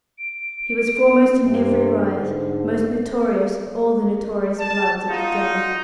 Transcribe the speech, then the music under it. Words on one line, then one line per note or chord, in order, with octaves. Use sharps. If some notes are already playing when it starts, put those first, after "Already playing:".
He was foremost in every riot, most notorious of all the notorious "bloods" of the day.
D7
G2 C3
G#2 D3
A5
D#4 F4 F#4